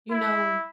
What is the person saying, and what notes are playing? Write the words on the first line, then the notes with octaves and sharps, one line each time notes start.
You know
E4